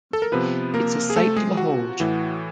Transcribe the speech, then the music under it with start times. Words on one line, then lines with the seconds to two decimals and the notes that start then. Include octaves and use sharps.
It’s a sight to behold.
0.13 A4
0.22 A#4
0.32 C3 F3 B3 B4
0.74 A#3 A#4
1.10 G#4
1.16 A3 A4
1.36 G#3 G#4
1.57 F#4
2.00 A2 E3